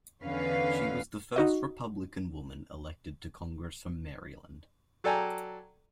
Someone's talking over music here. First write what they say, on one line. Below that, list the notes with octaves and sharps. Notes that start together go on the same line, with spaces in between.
She was the first Republican woman elected to Congress from Maryland.
E2 D3 C#4 B4 F5
D#4 F#4 D#5
F#3 A4 D5 G5 G#5 A#5